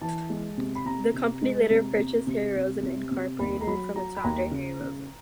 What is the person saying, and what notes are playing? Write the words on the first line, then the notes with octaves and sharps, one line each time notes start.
The company later purchased Harry Rosen Incorporated from its founder, Harry Rosen.
E3 A5
G#3
C3
B5
C3 A#5
C3
G#3
C3
C3
C3
C3
C3
C3
D#2 B5
A#5
F#3 B5
F#3 A#5
B5
D#2 A#5
C#3
C#3